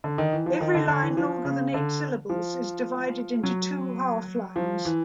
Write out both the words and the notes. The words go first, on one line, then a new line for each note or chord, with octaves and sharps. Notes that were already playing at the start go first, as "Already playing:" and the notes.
Every line longer than eight syllables is divided into two half-lines.
D3
D#3
E3
F3
D#3
D3
D3
E3
F3
C#3
D3
F3
F#3
F3
E3